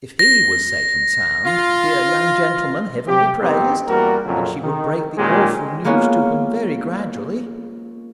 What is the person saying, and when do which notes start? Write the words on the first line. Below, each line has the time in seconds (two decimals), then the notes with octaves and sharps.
If he was safe and sound, dear young gentleman, heaven be praised! and she would break the awful news to him, very gradually.
0.19 A#6
1.45 F4
3.07 C3 G4
3.41 A1 D#3 B3 C4 D#4 G4
3.88 E2 G3 A#3 F#4 A#4
4.26 F2 A#2 C#3 F#3
4.63 D#3
5.18 A#2 D#3 G#3 C#4 G4 G#4
5.85 G#3 A#3 B3 C#4 F4